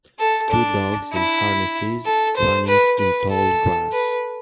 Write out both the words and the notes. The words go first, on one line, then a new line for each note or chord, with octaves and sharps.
Two dogs in harnesses running in tall grass.
A4
D4
E4
A4
C5
B4
B4
A4
B4